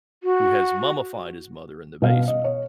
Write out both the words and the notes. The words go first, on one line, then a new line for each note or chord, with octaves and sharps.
who has mummified his mother in the basement,
F#4
B2 F5
D#5
C#5